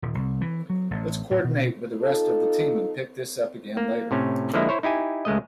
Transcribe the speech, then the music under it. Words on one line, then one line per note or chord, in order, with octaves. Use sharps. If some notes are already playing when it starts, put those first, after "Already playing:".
Let's coordinate with the rest of the team and pick this up again later.
D#1
C2
E3
F#3
A1
A2
B2
D#4 F4 A4
A#3
A2 C3 C#4
D3 F3 G#3 A#3 E4
E4 C5 C#5
D#4 E4 G4 G#5
C#2 G#3 A3 D#5